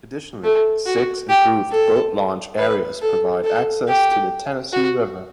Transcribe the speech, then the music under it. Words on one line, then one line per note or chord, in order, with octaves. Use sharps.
Additionally, six improved boat launch areas provide access to the Tennessee River.
A3
F#4
G4
A4
B4
A4
A4
G4
F#4